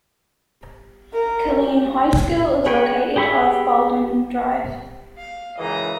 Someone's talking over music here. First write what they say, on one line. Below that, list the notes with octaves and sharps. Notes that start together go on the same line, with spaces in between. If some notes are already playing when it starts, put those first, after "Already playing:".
Kaleen High School is located off Baldwin drive.
A#4
G4
G#4 B4 C#5 G5 G#5
G4 G#4 B5 C#6 E6
F5
C#2 F#2 E3 D#5 A#5